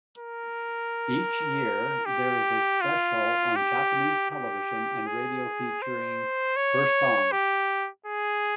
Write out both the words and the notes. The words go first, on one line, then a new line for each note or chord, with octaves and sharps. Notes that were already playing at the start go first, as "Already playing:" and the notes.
Each year there is a special on Japanese television and radio featuring her songs.
A#4
G4
F4
G4
G4
G#4
C5
C#5
G4
G#4